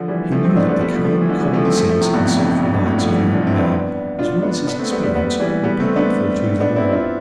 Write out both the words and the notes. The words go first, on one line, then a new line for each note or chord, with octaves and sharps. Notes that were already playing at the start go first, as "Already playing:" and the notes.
He knew that the calm common sense and self-reliance of the old man, as well as his experience, would be helpful to them all.
Already playing: D3 F3
E3 G3
F3 A3
A3 C4
B3 D4
G3 B3
G3 B3
F3 A3
F3 A3
E3
D3 F3
E3 G3
F3 A3
A3 C4
F3 A3
F3 A3
A2 C3
G2 B2
F2 A2
G2
F2
G2
G2 B2
F2 A2
D3 F3
E3 G3
D4 F4
C4 E4
B3 D4
D4 F4
B3 D4
B3 D4
A3 C4
G3 B3
G3 B3
G3 B3
E3 G3
G3 B3
A3 C4
B3 D4
B3 D4
C4 E4
D4 F4